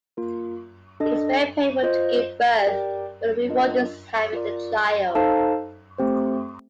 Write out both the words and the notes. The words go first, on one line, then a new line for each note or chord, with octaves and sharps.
It is very painful to give birth but the reward is having the child.
A#3 F4 A#4
D4 A4 D#5
F4 C5 D#5
G4 A#4 D5 G5
D4 F4 A#4 D#5
F4 A#4 D5
D#4 A4 C5 F5 A5
A3 C4 G4 C5